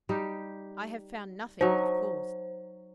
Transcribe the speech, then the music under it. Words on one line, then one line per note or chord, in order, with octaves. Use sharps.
I have found nothing, of course.
G3 D#4 G4
F#3 D#4 C5